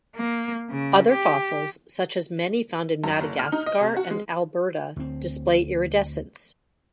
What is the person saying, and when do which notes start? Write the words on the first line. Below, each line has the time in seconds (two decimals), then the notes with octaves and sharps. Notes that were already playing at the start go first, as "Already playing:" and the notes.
Other fossils, such as many found in Madagascar and Alberta, display iridescence.
0.15 A#3
0.70 C#3
1.12 G4
3.04 F#2
3.21 F#1
3.39 F6
3.52 D#4
3.66 D#5
3.81 C3
3.97 F#4
4.11 G#3
4.96 D2 C4